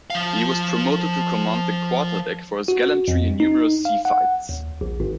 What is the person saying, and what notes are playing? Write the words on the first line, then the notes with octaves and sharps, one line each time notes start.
He was promoted to command the quarterdeck for his gallantry in numerous sea fights.
F3 F5
F#4
F2
D#4
F5
F#5
D#2
A#1
G#1